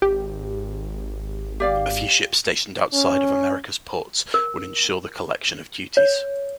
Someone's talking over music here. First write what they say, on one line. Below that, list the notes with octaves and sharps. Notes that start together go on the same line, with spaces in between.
A few ships stationed outside of Americas ports would ensure the collection of duties.
G#1 G4
G4 D5 F5
C#4
A#4
C#5